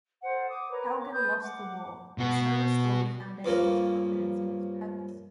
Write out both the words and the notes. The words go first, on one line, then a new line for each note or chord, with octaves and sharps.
Kalgan lost the war, and so restored the Foundation's confidence in its purpose.
A4 C5 F#5
D6 D#6
A#4 B4 C#5 A#5
D6
B4 D#6 G6
F#5 D6
B2 F#4
G2 F3 A#3 C#4